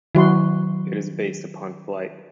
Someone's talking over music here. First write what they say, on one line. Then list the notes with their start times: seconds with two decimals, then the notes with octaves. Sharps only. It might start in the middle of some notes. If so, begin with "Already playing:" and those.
It is based upon Flite.
0.15 D#3 F#3 E4 F#4 C6